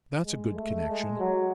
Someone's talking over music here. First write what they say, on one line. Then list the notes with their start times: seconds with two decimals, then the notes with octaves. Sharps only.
'That's a good connexion!
0.24 G#3
0.55 A3
0.88 G#3
1.19 F#3